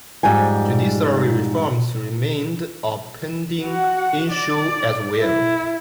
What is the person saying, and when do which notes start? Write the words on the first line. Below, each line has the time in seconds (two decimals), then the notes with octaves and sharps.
Judiciary reforms remained a pending issue as well.
0.23 F2 G#2 G3 G5 G#5
3.64 F#4 F#5
4.30 D5
5.20 E4